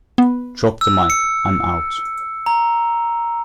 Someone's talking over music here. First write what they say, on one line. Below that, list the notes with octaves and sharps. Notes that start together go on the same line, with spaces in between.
Drop the Mic, I'm out.
B3
E6
C#7
A#5